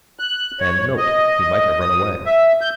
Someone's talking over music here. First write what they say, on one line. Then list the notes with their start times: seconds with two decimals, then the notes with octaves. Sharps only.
And, note, he might have run away.
0.19 F#6
0.60 C#5
0.97 D#5
1.79 D#6
2.26 E5
2.61 G6